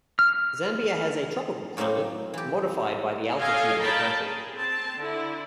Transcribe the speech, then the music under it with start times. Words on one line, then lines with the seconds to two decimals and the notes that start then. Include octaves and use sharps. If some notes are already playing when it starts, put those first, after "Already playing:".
Zambia has a tropical climate, modified by the altitude of the country.
0.19 F6
1.77 F#2 A2 A3 A#3 C4
2.34 E3 G4
3.37 A4 C#5 D#5 F5 G5 G#5
3.81 A#4 C#5 G5 A5 B5
4.20 G#4
4.54 C4 A5
4.98 D3 E4